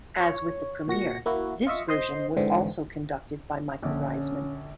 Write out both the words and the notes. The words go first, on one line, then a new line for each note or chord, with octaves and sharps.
As with the premiere, this version was also conducted by Michael Riesman.
C#5
A#2 F#4 A#6 C#7
A#3 E4 F#4
F4 D#5 E5 C#6
C5 D#5 C6
G#2 D3 E3 C4
A#1 D3 C#4